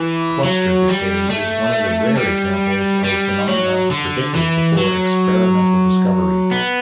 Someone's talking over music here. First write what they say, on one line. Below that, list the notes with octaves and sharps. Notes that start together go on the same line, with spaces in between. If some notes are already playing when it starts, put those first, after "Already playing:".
Cluster decay is one of the rare examples of phenomena predicted before experimental discovery.
Already playing: E3
F#3
G3
A3
G3
G3
F#3
D3
E3
F#3
B3